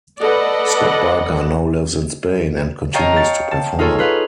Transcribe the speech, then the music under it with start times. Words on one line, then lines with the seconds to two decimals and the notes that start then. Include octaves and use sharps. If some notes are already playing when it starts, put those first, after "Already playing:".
Scott Barker now lives in Spain and continues to perform.
0.21 A4 B4 D5 D#5 F#5
2.94 C#5 D#5 F5 G5 A5 A#5
3.16 A6 C#7
3.51 A5
3.79 D#4 F4 G#4 A4 C#5
3.99 F4 B4 F5